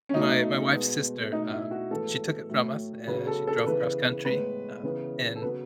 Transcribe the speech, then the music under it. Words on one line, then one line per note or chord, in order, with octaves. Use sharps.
my my wife's sister, um, she took it from us, uh, she drove cross country, um, and
C#4
B2 F#3 A3 D#4
B2 G#3 B3
B2 A3 D#4
E4
F#4
A2 E3 G#3 B3 A4
A2 F#3 A3
C#3 F#3 B3 B4
A4
A4
C#3 E3 B3 B4
A2 G#3 B3 B4
C#3 E3 B3
A4
C#3 F#3 B3 B4